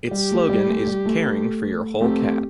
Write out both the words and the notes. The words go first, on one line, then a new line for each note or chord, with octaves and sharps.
Its slogan is "Caring For Your Whole Cat".
G3 G4
A3
G3
A3
G3
A3
A3 C4 G4